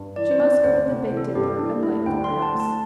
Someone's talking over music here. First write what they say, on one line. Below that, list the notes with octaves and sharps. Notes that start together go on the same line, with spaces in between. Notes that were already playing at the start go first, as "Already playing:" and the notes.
She must go to the Big Dipper and light the lamps!
Already playing: G2
E3 D5
C5
C4 D5
D2 C5
C3
E3
A4
G2 G4
E3 D4
A3 E4
D2 G5
C6
D3
A5
A3
A5